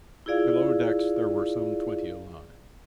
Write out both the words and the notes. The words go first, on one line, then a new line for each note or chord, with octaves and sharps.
Below decks there were some twenty alive.
E4 F4 G#4 D5 F5